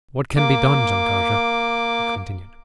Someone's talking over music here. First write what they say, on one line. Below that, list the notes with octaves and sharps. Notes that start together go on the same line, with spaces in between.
"What can be done, John Carter?" he continued.
A#3 D6